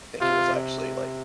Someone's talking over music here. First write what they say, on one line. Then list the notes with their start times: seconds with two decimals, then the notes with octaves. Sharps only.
I think it was actually, like
0.20 C3 F4
0.50 C3